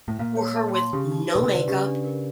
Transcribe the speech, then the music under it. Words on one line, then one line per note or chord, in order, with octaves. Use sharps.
were her with no makeup,
A2
A#2 F5
C#5
A5
C6
C#3 G4
D#4
B4
B2
C3
D5
D3
C#3 G4
D4
A#4